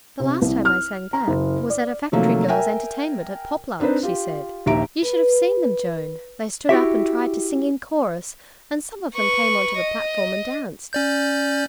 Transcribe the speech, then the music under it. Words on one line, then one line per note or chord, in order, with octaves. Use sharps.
'The last time I sang that was at a Factory Girls' entertainment at Poplar,' she said... 'You should have seen them, Joan: they stood up and tried to sing in chorus and some of them came on to the platform and danced....
C3
C2
F6
A#5
F#1
D5
C3 D#3 F3 F#3 A3 A#3
A#4 E5 G5 G#5
C4 D4 D#4 B4 C5
F4 G4
A#1 D#2 G4 E5 A#5 D7
B4
E4 F#4 G4 E5
B4 C#6
D#5
C#4 D5 G6